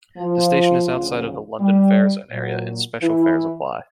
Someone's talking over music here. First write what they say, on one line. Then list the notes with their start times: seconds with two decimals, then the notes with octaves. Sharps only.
The station is outside of the London Fare Zone area, and special fares apply.
0.18 F3 F4
0.89 D2 C#3 F3
1.60 G3 G4
2.31 A#2 F#3
3.02 E3 E4